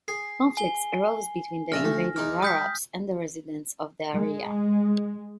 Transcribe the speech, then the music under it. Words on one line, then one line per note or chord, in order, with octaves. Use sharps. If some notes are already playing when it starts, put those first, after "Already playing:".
Conflicts arose between the invading Arabs and the residents of the area.
G#4 C7
G#5 G7
A#1 D4 E5 F6 A#6
D2 A3
E2 D#4 D6 F6
G3 D#6 G6 B6
G#3